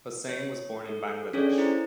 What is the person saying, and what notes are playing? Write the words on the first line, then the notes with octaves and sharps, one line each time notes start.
Hossain was born in Bangladesh.
C#5
A4
C#4 D4 G#4 A4 C#5 D5
E4 C5 A#5